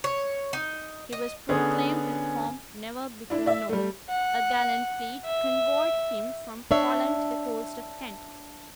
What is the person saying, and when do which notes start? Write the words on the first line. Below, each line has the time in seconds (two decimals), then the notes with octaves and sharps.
He was proclaimed with pomp never before known. A gallant fleet convoyed him from Holland to the coast of Kent.
0.04 C#5
0.53 D#4
1.13 D#5
1.49 D3 B3 C#4 G#4
3.30 D4 E4
3.46 D5 E5
3.69 G3 A3
4.10 F#5
5.25 E5
6.71 D4 C#5 E5